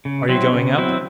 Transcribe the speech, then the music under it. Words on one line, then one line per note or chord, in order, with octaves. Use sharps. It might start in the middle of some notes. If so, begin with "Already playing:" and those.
"Are you going up?"
C#3
F#3 C4 E4
C#3
F#3 C4 E4